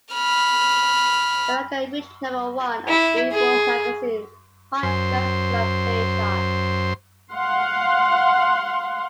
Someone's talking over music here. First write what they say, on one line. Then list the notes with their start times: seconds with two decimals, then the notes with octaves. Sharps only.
The record reached number one on "Billboard" Magazine's Hot Dance Club Play chart.
0.14 B5 F6
2.88 E4
3.32 G#4
4.83 F#2 C5
7.32 F5 F#5 C6